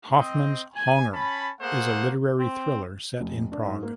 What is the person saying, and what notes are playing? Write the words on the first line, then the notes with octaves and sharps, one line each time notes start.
"Hoffman's honger" is a literary thriller set in Prague.
C4 D#5
G#5
C#4 A5 B5
A3 A#3 G#4 C5 F#5
C4
F1
D4
G#2
A#3